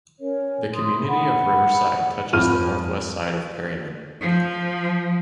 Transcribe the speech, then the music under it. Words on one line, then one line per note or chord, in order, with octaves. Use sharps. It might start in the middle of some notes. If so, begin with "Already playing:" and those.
The community of Riverside touches the northwest side of Perryman.
C#4 A#4 C#5
E4 C6 D#6
F#5 B5
F2 B5 F6 D#7
F3